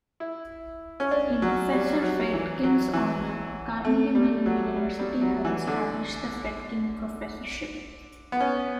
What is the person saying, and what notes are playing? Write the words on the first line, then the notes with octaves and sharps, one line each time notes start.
In Professor Fredkin's honor, Carnegie Mellon University has established the Fredkin professorship.
E4
C#4
D4
F#3
G3
G3
F#3
E3
F#3
E3
A3
G3
F#3
G3
G3
F#3
E3
D3
B3
C#4